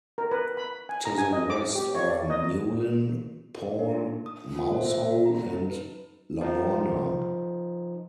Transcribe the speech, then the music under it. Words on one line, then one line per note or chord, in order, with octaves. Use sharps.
To the west are Newlyn, Paul, Mousehole and Lamorna.
A#4
B4
B5
G#5
A#5
G#5
D#5
D6
G4
C#5
D5
D#5
D4
D#4
D#6
F4
C5
E5
F4
A#5
D#4
B4
F3 D#4